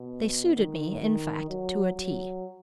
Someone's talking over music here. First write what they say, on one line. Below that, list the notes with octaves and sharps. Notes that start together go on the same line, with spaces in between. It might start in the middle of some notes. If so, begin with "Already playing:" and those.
They suited me, in fact, to a T.
Already playing: B2
D#3
D#3
F#3
F#3